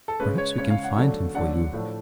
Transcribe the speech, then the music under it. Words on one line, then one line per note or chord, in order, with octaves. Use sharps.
Perhaps we can find him for you.
A4
C#3 G#3 C#4 B4
C#5
C#3 G#3 C#4 C#5
F5
F#5
D3 F#3 A3 D4
D3 F#3 A3 D4 F#5
A2 F3 A3 D4